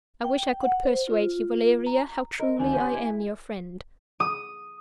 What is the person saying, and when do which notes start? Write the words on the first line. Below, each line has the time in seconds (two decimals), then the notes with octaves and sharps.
I wish I could persuade you, Valeria, how truly I am your friend.
0.24 G5
0.61 F#5
0.83 C5
1.08 F4
1.87 A#5
2.40 A#4 D#5
2.59 D2 D#3 D4 G#5
2.73 C4 C#4 G4
2.94 E4
4.20 D#6